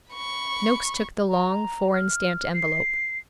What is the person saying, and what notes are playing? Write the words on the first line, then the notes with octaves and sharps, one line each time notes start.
Noakes took the long, foreign-stamped envelope.
B5 C#6
A#5
F6
C7